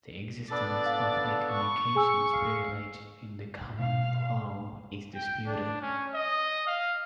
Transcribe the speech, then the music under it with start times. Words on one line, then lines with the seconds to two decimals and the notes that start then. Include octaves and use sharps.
The existence of a communications privilege in the common law is disputed.
0.51 B3 D4 A4 D5 A6
0.86 F5
1.51 C#6
1.95 G#4 G#5 E6
2.33 F5
3.79 B2 F5
5.15 G5
5.46 D4
5.82 C#4
6.14 D#5
6.67 F5